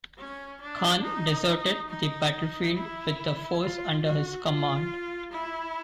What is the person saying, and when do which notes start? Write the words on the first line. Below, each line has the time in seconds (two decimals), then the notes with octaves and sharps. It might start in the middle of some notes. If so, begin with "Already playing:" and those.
Khan deserted the battlefield with the force under his command.
0.18 C#4
0.61 D4
1.04 D#4
1.89 D#4
2.74 E4
3.61 F4
4.03 F#4
4.45 F4
5.31 E4